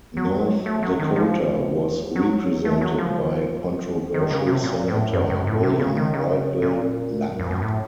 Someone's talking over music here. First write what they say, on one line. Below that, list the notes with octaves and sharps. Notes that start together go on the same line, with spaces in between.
North Dakota was represented by controversial Senator William "Wild Bill" Langer.
F#3
A3
F#3
D#3
F3
F#3
A3
F#3
F3
D#3
C#3
C3
A#2
A2
F#2
F#2
A2
C3
C#3
D#3
C#3
A#2
F2
F#2
A2